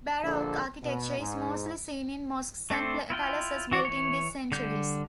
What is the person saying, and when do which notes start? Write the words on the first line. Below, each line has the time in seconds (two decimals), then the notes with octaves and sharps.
Baroque architecture is mostly seen in mosques and palaces built in this centuries.
0.24 A#1 D3 D4 A4
0.82 B2
1.18 G#2
2.70 A3 C4 D4 A4 C5
3.10 E4 F4 G5
3.71 E3 F#4 C#5 D5
3.85 E3 C#5
4.52 D3 G3 G6